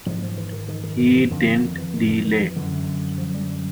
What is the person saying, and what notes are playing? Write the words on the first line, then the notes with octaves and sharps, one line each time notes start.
He didn’t delay.
G#2 F3
F3
E3
D#3
D#3
D#3
D#3
E3
F2 D3 D#3
D3
D#3
E3
D#3
D3
D#3
E3
F#2 D3
F3
G3